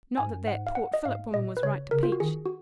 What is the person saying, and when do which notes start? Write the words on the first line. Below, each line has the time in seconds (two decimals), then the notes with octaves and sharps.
Not that that Port Phillip woman was right to peach.
0.18 G#2 G#5
0.30 F#2
0.44 G#2 F#5
0.67 F5
0.75 F#5
0.94 D#5
1.05 G#2 F5
1.34 A#2 D#5
1.57 B4
1.62 C#3 C#5
1.91 C#3 A#4
2.03 F4
2.12 F#4
2.20 D#3 G#4
2.46 F#4